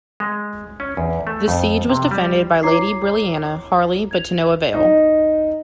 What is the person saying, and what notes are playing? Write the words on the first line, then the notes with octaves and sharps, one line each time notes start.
This siege was defended by Lady Brilliana Harley but to no avail.
G#3
C#4
E2
A3
F2
C3
G3
E4 C#5 A#5 D6 G#6 C7
G#6 F7
D#4